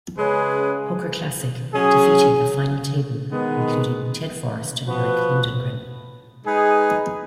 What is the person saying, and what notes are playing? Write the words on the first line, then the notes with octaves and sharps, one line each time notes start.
Poker Classic, defeating a final table including Ted Forrest and Erick Lindgren.
C#3 G#3 C#4 G#4 B4
F#3 C#4 G#4
D#3 G#3 B3
F3 B3 F#4 B4
G#3 D#4 G#4 B4